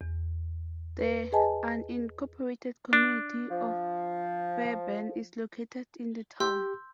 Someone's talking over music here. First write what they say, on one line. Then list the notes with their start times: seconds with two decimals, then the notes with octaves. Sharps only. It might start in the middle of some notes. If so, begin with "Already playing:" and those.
The unincorporated community of Fairburn is located in the town.
0.01 E2
0.99 B4
1.32 G#4 B4 D#5 G#5 A5
2.93 D4
3.51 F3
6.40 G4 C6 E6 G6